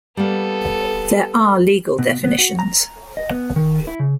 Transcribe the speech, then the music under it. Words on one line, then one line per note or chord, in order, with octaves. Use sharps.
There are legal definitions.
G3 A#3 B3 A4
B2
B3
F#4
A#5
D#5
B3
D#3
E4
C#3